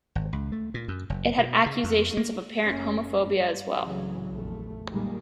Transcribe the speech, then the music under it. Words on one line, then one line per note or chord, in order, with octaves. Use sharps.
It had accusations of apparent homophobia as well.
G#1
C#2
A3
A#2
F#2
F#1
B2
C#3
F2
A#3
F#1 A#3 C#4
G2
C2 A2 C#3 E3 F#3
F1 A#1 E2 A3
A#2 D#3 G3 G#3 A#3